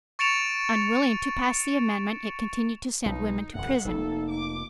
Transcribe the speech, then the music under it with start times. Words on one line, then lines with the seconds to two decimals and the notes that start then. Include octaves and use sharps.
Unwilling to pass the amendment, it continued to send women to prison.
0.19 C#6 A6 C#7 D7 E7 F7
3.06 B1 D#4
3.55 E1 F#2 F#5
3.85 F1 F2 A#3 D#4 A4
4.30 D6